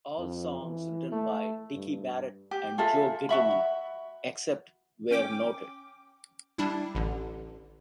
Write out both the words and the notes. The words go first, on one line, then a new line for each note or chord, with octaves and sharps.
All songs written by Dicky Barrett and Joe Gittleman, except where noted.
F2
E3
A3
G2
G4
F4 G#4 A4 E5
F#4 E5 B5
C#4 G5 D6
G3 D4 E4
A1 D3